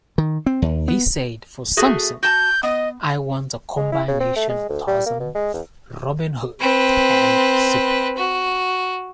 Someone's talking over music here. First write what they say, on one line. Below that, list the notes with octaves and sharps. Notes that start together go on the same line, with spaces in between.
He said, For Samson, I want a combination Tarzan, Robin Hood, and Superman.
D#3
C4
D#2
B3
A3 F#4 G#4
F#4 A5 G6
B3 D#5
G#3
E4
C#3
C4
A3
G#3
D2
G3
A#3
B2
G#3
E2
C4 B4
F#4